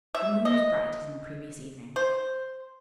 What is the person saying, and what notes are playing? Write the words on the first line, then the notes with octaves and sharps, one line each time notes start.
The moon was bright as on the previous evening.
E5
D#5
C5